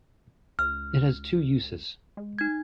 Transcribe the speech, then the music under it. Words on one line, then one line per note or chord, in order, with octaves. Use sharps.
It has two uses.
C#2 F6
G#3
D#4 G#6